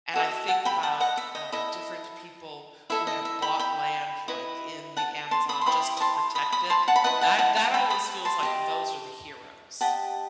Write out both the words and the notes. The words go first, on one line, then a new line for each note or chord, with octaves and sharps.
And I think about, um, different people who have bought land, like, in the Amazon just to protect it, that that always feels like those are the heroes.
F#4 A4 D#5
F#5 A5
G5 B5
F#5 A5
D#5 F#5
E5
D#5
E4 A4 D#5
E4 A4 D#5 E5
D#5
E5
G5 B5
G5 B5
E4 B4 D#5
F#5 A5
A5 C6
B5 D#6
C6
E4 G4 C5 B5 D#6
D#6
A5 C6
B5 D#6
B5 D#6
A5 C6
F#5 A5
B5
E4 B4 D#5 F#5 A5
F#5 A5
F#5 A5
F#5 A5
G5 B5
B5 D#6
A5 C6
G4 D#5
G4 D#5 F#5 A5